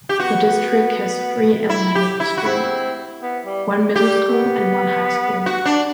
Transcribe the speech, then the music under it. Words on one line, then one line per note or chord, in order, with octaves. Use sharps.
The district has three elementary schools, one middle school and one high school.
G4
B3 F#4
E4
G4
E4
F#4
C4 E4
B3
G3
G3
G3 G4
A3
B3
F#4
D4